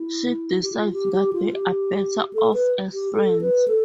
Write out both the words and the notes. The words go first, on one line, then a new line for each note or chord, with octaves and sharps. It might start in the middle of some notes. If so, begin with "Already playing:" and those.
She decides that they are better off as friends.
Already playing: E4
G4
F4
G4
G4
F4
G4
A4
B4
G4
A4
B4
A4